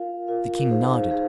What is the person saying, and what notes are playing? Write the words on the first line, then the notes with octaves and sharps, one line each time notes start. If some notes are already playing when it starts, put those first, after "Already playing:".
The king nodded.
Already playing: F4 A#4 F5
F4 A#4 F5
D#4 G#4 C5 F5
D#4 G#4 C5 F5